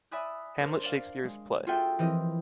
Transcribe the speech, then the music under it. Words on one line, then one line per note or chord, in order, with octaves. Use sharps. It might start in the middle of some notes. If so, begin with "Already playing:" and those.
Hamlet Shakespeare's play.
D5 E5 G#5 B5 D#6 F#6
D4 A#4 C5
D5 F5
G#3
F4 F#4 G#4 A4 E5 G5
E3 F3 C4 G4 A#4 D#5